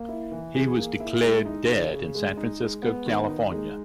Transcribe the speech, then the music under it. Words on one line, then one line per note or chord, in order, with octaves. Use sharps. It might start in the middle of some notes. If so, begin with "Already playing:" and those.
He was declared dead in San Francisco, California.
Already playing: A#3
E4
E3
G#4
A#3
E4
G#3
D#4
C#3
C#3
G#3
D#4
G#3
B3
D#3
D#4
G#3